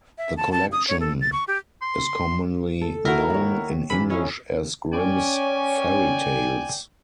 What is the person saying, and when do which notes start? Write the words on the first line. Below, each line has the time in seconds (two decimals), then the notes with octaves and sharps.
The collection is commonly known in English as Grimms' Fairy Tales.
0.18 E5
0.37 A5
0.52 A5
0.72 D#6
0.88 C#5
1.00 A4
1.21 A6
1.32 C#6
1.48 G4
1.82 C6
2.81 A4
3.05 E4 F#4 A#4
3.30 D#2 C#5
3.90 F#2 E3 B5
4.10 C#4 E4 D#5 F5
4.92 C#4 D5 G5 G#5